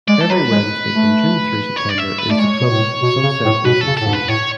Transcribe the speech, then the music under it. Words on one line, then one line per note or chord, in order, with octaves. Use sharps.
Every Wednesday from June through September is the club's Sunset Racing Series.
G#3 D5
A4
F#3 B4
G#3
A3
C#5
D5
E5
B4
A3 D5
G#3 C#5
B2
A2
B2
C#3
A2
B2 B4
A4
C#3
A2 A4
G#2
B4
A2 C#5